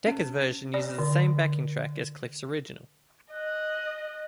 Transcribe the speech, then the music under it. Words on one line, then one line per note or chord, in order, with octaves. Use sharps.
Dekker's version uses the same backing track as Cliff's original.
C#4
D5
D3
D#5 F#6